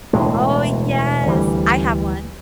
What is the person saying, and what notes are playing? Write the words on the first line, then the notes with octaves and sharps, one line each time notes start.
Oh, yes, I have one.
E1 D2 A2 G#3
D2 E3 G3